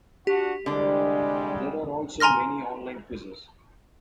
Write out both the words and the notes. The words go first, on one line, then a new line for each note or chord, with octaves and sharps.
There are also many online quizzes.
D4 F#4 G4
C2 D3 G3 G#3 D4
G#5 A#5 C6 F6 A#6